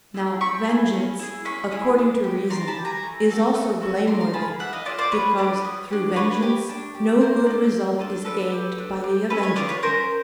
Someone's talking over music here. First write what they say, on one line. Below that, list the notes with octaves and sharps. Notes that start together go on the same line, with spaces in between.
Now vengeance, according to reason, is also blameworthy, because through vengeance no good result is gained by the avenger.
E4 G#4
C4 B5 C#6
E4 G#4
C#4
E4 G#4
C#4 B5 C#6
E4 G#4
D4
G4
D4 A#5 C6
A5 B5
G4
G#5 A#5
A3
C#4 F#4 A4
A3
C#4 F#4 A4
D4 A#5 C6
A#5 C6
F4 G#4 A5 B5
D4 E5 F#5
D#5 F5
F4 G#4 D5 E5
C5 D5
B3 B4 C#5
D4 G4
B3
D4 G4
D4 B4 C#5
G4
D4
G4
A#3 A#4 C5
D4 F4 A4
A#3
D4 F4 A4
D4 A4 B4
G4
D4
G4
C#4 A4 B4
B4 C#5
F4 G#4 C5 D5
B4 C#5
C#4 A#4 C5